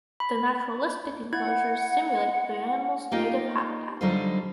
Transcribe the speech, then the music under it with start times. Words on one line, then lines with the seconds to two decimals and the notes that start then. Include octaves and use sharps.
The naturalistic enclosures simulate the animals' native habitat.
0.20 B5
1.33 E4 F#5 G#6
3.11 A#3 D#4 F4 G4 D#5 G5
4.01 D3 F#3 G3 D#4 F4 C5